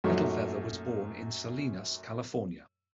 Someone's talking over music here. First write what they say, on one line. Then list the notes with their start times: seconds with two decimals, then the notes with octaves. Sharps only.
Littlefeather was born in Salinas, California.
0.04 F#2 A#2 F#3 A3 D#4 F#4